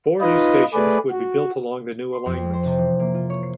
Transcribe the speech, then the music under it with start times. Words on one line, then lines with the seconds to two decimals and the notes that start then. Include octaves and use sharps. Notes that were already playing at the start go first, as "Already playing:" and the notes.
Four new stations would be built along the new alignment.
0.21 D#4 F4 B4 D#5
0.74 A3 G#4 B4 D5
1.11 F#4
2.13 C6
2.26 F2
2.53 C5
2.65 C3
2.78 E3
2.99 A#3
3.14 F4
3.30 C#5
3.43 C7